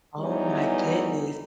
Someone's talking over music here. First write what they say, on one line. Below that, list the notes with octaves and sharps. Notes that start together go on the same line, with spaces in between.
Oh my goodness.
E2 E3 F#3 G3 D#4 C#5